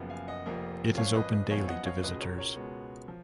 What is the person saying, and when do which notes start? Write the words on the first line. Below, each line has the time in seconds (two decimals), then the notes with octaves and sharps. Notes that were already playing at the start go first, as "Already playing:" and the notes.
It is open daily to visitors.
Already playing: F#1 F#2 C#3 F3 B3
0.10 F5 G#5
0.28 D#5 F#5
0.46 F1 F2 F3 A#3
0.98 G#1 F#2 F3 C#5 F5
1.15 B4 D#5
1.32 B4 D#5
1.51 F#2 F3 B3 C#5 F5
1.68 D#5 F#5
1.86 C#5 F5
2.03 C#2 B2 G#3 B4 D#5
2.20 A#4 C#5
2.38 A#4 C#5
2.56 C#2 B2 G#3 B3
3.08 F3